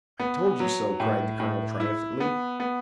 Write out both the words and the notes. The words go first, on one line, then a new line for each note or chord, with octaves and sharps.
"I told you so," cried the colonel, triumphantly.
B3
F#3
A2
A2
E4
B3
B3